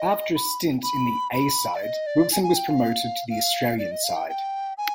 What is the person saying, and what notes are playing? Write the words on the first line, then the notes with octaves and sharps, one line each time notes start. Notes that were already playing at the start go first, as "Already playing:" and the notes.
After a stint in the 'A' side, Wilson was promoted to the Australian side.
Already playing: D#5
B5
B5
B5
D5
D#5
D5
G#5
G#5
G5
F5
F5
D5
D#5
F5
G5
G5
G#5